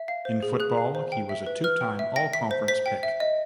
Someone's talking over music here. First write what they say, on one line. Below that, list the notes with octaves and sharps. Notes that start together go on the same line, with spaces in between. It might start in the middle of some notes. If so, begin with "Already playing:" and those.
In football, he was a two-time All-Conference pick.
Already playing: E5
F5
C5
G#4
G#4 F#6
F5
C5
G5
E5
B4
B4 F6
G5
E5
G5 A#6
E5 B6
C5
C5 B6
G5
E5
D#5